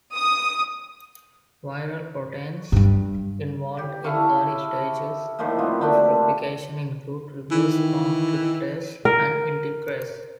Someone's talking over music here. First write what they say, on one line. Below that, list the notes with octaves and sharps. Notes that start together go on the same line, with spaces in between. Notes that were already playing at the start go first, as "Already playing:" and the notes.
Viral proteins involved in early stages of replication include reverse transcriptase and integrase.
D#6
G2 G3
G4
E4 A4 F5 C#6
A2 D#3 F3 A#3
B3 C4 F4 F#4
A3 A#3 D4 G4
D#3 E3
A#4